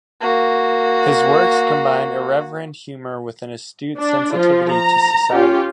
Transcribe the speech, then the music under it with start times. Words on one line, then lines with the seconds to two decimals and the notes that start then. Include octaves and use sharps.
His works combine irreverent humour with an astute sensitivity to society.
0.21 A#3 F#4
3.98 D4
4.34 F3 F4
4.70 A#5
5.33 C#4 F4 G4